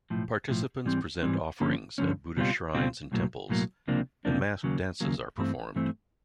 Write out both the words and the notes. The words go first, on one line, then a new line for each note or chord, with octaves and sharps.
Participants present offerings at Buddhist shrines and temples, and masked dances are performed.
B1 A2 F3
B1 A2 F3
G#2 E3 G3 C4
G#2 E3 G3 C4
G2 D3 F3 A#3 C#4
G2 D3 F3 A#3 C#4
C#2 B2 G3 C4 F4
C#2 B2 G3 C4 F4
B1 A2 F#3 A#3
B1 A2 F#3 A#3
C#2 C3 F3 A#3 D4
C#2 C3 F3 A#3 D4
D#2 C#3 F#3 A#3
D#2 C#3 F#3 A#3
G2 E3 A3 C4
G2 E3 A3 C4